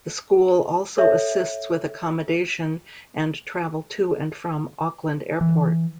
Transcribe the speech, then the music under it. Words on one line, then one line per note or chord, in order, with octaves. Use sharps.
The school also assists with accommodation and travel to and from Auckland Airport.
A4 C#5 E5
E3